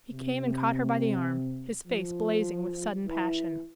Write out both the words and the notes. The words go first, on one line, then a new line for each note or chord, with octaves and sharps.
He came and caught her by the arm, his face blazing with sudden passion.
C3
F3
E3